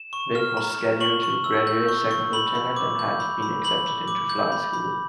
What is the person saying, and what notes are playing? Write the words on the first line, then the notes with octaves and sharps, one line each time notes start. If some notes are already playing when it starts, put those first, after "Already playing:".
Vic was scheduled to graduate second lieutenant and had been accepted to flight school.
Already playing: E7
C#6
F6
A#5
A#5
C#6 F#7
C#6
E6
G6
C#6
C#6
B5 F#7
B5
D6
G6
B5
B5
B5 F#7
B5
D6
G6
B5
B5